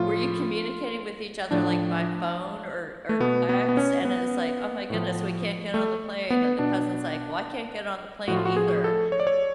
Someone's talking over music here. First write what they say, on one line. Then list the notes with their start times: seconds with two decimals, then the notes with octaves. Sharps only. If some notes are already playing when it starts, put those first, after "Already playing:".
Were you communicating with each other, like, by phone or or text? And it's like, "Oh my goodness, we can't get on the plane," and the cousin's like, "Well, I can't get on the plane either."
Already playing: A2 F3 F4
1.51 A2 F3 D4
3.09 A3
3.20 B2 B3
3.49 B3
3.69 B3
3.77 C#4
4.05 B3
4.90 A2 F3
5.74 A3
6.30 B3
6.59 B2 D4
8.28 A2 F3 F#4
8.36 F4
8.45 F#4
8.56 G#4
8.84 A4
9.12 C#5
9.20 D5
9.27 C#5